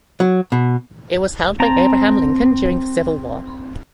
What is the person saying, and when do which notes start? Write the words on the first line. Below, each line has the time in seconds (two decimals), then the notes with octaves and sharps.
It was held by Abraham Lincoln during the Civil War.
0.20 F#3
0.52 B2
1.60 C4 A5 A#5